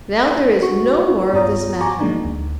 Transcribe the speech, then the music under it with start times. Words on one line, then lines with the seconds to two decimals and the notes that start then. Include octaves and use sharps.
Now there is no more of this matter.
0.61 D4 F#4 C#6
1.33 G2 B3 F4 C#5 A#5 D#6
1.81 F#4 G#5 A#5 C#6 D6
2.01 F3 F#3 G#3 A#3 D4 D#4
2.25 D2